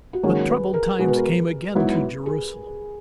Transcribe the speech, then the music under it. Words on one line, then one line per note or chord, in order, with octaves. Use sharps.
But troubled times came again to Jerusalem.
F#4
G#2 D#3 F#3 A#3 C#4 G#4
B4
A#4
B2 G#3 B3 F#4
B4
A#4
B4
G#2 F#3 B3 E4 B4
G#4